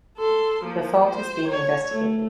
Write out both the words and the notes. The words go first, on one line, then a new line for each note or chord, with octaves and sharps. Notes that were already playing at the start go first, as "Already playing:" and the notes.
The fault is being investigated.
A4 C6
F3 A#3
C5
C#5
A3